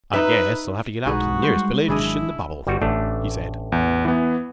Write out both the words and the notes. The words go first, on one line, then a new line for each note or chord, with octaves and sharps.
"I guess I'll have to get out to the nearest village in the bubble," he said.
D#4 B4 E5
B1 G#3 D#4 F#4 G#4 B4
G3 C5
G#1 D#3 F#3 D4 E4 G#4 D#5
G1 G3 F#4
A1 A3 D4
E2
E3 B3